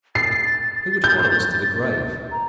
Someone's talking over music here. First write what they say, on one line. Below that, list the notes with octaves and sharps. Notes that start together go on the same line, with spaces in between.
Who would follow us to the grave?
A6 C7
G6
A#5